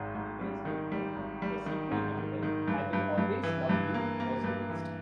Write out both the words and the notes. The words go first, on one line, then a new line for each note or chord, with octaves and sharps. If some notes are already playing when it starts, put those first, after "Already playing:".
Two days later, a sequel novel, "I Will Always Love You" was released.
Already playing: G#1 G#2
G#2
G3
D#3
G3
G#1
G3
D#3
G#2
D#3
D#3
G2
G2
G2
E3
G2
A#3
A#3
G2
E3